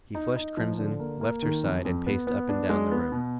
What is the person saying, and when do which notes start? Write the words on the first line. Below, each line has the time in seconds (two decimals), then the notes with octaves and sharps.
He flushed crimson, left her side, and paced up and down the room.
0.15 D#4
0.36 D#4
0.57 F3
0.78 D3
1.00 A#3
1.21 A#3
1.42 D#3
1.64 F2
1.85 F2
2.06 B3
2.27 B3
2.49 D4
2.69 G#3
2.91 B3
3.12 B2